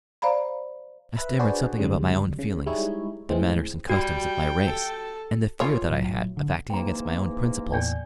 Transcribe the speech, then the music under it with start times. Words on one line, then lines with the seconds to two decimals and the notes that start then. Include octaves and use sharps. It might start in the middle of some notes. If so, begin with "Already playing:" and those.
I stammered something about my own feelings--the manners and customs of my race--and the fear that I had of acting against my own principles.
0.22 C5 D5 F5 A#5 B5
1.16 B4 E5 B5
1.39 D4 F#4 G#4 B4 C5 D5
1.78 G#1 D2 G#2 C#3 F#3 G3
2.39 C#3
2.66 G3 G#3 D#4 E4 C#5
3.30 A2 E3 G#3 C4
3.90 G3 F#4 G5
4.66 A4
5.60 F4 C#5
5.90 A2 F#3
6.37 D3
6.70 G#2 E3 A#3 G5 A#5
7.73 E2 A2 D5 G5 G#5 G6